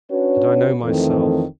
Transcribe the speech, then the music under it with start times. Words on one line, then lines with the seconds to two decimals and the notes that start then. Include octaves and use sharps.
And I know myself.
0.10 C#4 D4 F#4 B4 C#5
0.84 F2 D#3 E3 A3 C4 A4